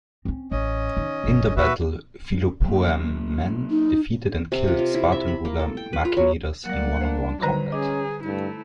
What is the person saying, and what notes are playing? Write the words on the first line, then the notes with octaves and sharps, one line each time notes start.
In the battle, Philopoemen defeated and killed the Spartan ruler Machanidas in one-on-one combat.
C4 C#4
A1 C#4 D#5
D#3
G1 F#3
A#2 D#3 F#4 B4 E5
F#3 A#3
D#4
C3
F4
F4
E4
E5
B5
A#3
A4
G5
B4
F4
F#3
F#3 G3 A#3 D5 F#5
D4 C5
D3 D#3 F#3 G3 B4 C5 A#5
C#4 G#4 D#5 D6
G2 A3 E4